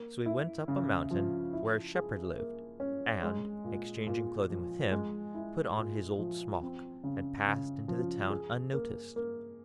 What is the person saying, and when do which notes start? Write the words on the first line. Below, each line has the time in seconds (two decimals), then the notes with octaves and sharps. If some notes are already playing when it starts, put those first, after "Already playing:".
So he went up a mountain, where a Shepherd lived, and, exchanging clothing with him, put on his old smock, and passed into the town unnoticed.
Already playing: A#3
0.26 E4
0.68 C#3
1.11 F3
1.53 E4
1.95 G#4
2.38 A#3
2.80 C#4
3.23 G#3
3.64 A#2
4.07 A#2
4.50 F3
4.91 G#3
5.35 E4
5.77 A#2
6.19 F3
6.62 C4
7.04 C#3
7.46 C#3
7.88 F3
8.30 G#4
8.73 A#3
9.16 A#3